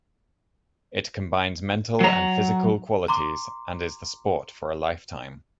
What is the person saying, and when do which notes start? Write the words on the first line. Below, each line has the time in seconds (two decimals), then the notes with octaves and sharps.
It combines mental and physical qualities and is the sport for a lifetime.
2.01 F#3 A#5
3.08 A#5 C6 D6